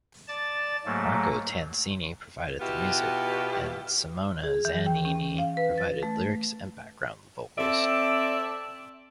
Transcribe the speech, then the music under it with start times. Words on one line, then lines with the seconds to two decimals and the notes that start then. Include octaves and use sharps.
Marco Tansini provided the music, and Simona Zanini provided lyrics and background vocals.
0.28 D5 A5 A6
0.86 G#2 F#3 A3 A#3
2.60 B2 B3 E4 F4 G4
4.44 G#4
4.65 E3
4.86 G5
5.05 C#4
5.38 F5
5.57 B4
5.78 A6
6.03 A3
7.59 C4 A4 D5 E5